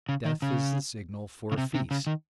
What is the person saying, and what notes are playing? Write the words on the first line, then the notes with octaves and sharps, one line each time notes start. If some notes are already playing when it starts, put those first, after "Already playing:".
Death is the signal for a feast.
C#3
D#3
C#3
C#3
C3
C3
C#3
D#3